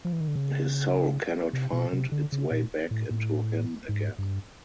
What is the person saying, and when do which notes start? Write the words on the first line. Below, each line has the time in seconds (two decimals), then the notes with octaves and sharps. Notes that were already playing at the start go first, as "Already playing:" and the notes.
His soul cannot find its way back into him again.
0.05 F3
0.13 E3
0.20 D#3
0.28 D3
0.35 C#3
1.53 C3
1.73 B2
1.93 C3
2.12 D3
2.32 C#3
2.51 A#2
2.91 A2
3.11 A2
3.89 G#2
4.18 G2